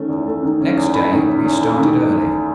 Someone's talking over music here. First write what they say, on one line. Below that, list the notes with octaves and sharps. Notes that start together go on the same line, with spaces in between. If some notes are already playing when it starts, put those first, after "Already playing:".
Next day we started early.
Already playing: D#3 A3 C#4
E2
A3
D#3
C#4
E2
A3 B5
D#3
C#4
E2
A3
D#3